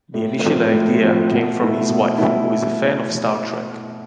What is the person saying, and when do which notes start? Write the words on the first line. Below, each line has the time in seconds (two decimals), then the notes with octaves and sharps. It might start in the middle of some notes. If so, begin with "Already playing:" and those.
The initial idea came from his wife, who is a fan of "Star Trek".
0.14 A2
0.43 F3 A3 C4
0.72 A2
1.02 F3 A3 C4
1.31 B2
1.60 A3 E4
1.89 B2
2.18 E4